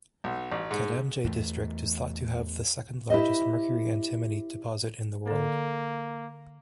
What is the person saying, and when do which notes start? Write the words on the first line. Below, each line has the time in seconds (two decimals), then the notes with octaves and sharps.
Kadamjay district is thought to have the second largest mercury-antimony deposit in the world.
0.24 B1
0.52 A1
0.71 G#2
1.24 E2 A3
3.10 E4 G4 C5 D#5
5.27 D3 A#3 A4